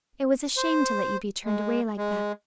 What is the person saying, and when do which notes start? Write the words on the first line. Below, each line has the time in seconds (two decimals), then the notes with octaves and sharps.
It was a shame to let you be turned away like that.
0.57 C5
1.45 G#3
1.98 G#3